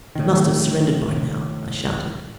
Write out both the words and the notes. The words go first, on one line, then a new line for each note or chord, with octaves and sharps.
"It must have surrendered by now," I shouted.
A2 D#3